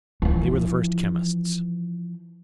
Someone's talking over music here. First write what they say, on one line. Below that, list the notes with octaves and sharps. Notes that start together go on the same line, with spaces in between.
They were the first chemists.
E3 F3